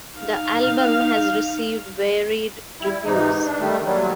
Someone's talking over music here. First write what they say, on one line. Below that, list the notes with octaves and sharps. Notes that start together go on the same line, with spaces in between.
The album has received varied reviews.
D#4 F5
G3 E4
G#2 C3 E3 D#4
D4
D#3 G3 A3
A#2 F#3 G3